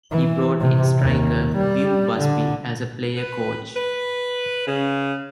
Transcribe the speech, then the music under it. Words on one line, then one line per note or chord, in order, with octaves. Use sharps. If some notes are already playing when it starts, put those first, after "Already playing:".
He brought in striker Viv Busby as a player-coach.
E3
C3
D#2
G3
D3
B4
B4
C#3